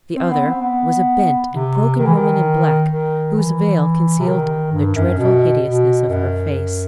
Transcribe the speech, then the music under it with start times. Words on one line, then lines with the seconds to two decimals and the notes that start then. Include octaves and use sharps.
The other was a bent and broken woman in black, whose veil concealed the dreadful hideousness of her face.
0.15 C4
0.30 B3
0.46 C4
0.61 B3
1.52 C3
1.98 D#3
2.06 E3
2.14 D#3
2.89 D#3
3.35 E3
4.19 C3
4.26 D#3
4.72 G2
4.95 F#2
5.18 B2
5.64 B2
6.09 F#2